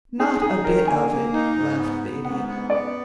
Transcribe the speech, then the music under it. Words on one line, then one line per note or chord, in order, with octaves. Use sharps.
"Not a bit of it," laughed the Idiot.
D#4 G#4
D#4 G#4
D#3 A#4
A#3 G#5
A#3
D#4
G#2
B3
B3
G#2 F#5
B3
B3 D5